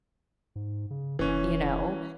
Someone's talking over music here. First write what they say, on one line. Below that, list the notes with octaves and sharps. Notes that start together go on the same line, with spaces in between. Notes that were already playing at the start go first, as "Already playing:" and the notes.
You know?
G#2
C#3
F1 E3 C#4